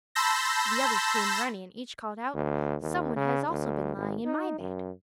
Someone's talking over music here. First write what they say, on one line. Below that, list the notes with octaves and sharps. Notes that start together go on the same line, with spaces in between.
The others came running, and each called out, "Some one has also been lying in my bed."
A5 B5 C6 E6 G6 A#6
D2
D#2
C#3
D2
G#1
D#4
F#2